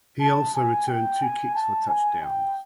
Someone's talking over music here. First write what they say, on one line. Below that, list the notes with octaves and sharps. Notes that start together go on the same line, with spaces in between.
He also returned two kicks for touchdowns.
A5
G#5
G5
G#5
A5
G#5
G5